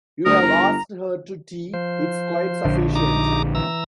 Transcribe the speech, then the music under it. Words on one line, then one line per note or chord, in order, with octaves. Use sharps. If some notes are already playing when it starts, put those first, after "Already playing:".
You’ve asked her to tea; it’s quite sufficient.
D2 A#4 D#6
G1 A#5
F3 C5
A#1 D3
D#4 A#5 D6
E3 A#5 E6